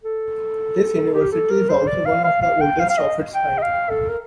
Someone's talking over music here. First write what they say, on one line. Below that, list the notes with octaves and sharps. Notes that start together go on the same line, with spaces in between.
This university is also one of the oldest of its kind.
A4
G4
A4
A#4
C5
D5
F5
F5
F5
G5
F5
F5
D#5
G5
D#5
F5
A4
A#4